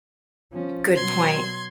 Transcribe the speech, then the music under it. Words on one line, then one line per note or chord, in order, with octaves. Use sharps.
Good point.
F3 C#4
B2 F#3 C6 G#6